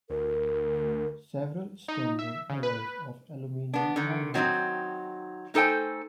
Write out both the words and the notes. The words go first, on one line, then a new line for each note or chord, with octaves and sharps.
Several standard alloys of aluminum are used.
D2 A#4
D#4
E5
C#3
B4
B3 D4
D3 D#3
D#3 F#3 B3 C4 D#4
A3 D#4 A4 C5 G5 G#5